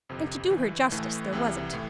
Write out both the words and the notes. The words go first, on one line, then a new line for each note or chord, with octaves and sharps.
And, to do her justice, there wasn't.
G1 F2 C3
G1 G2 E3
A1 A2 E3 A3
C2 C3 E3
A2 E3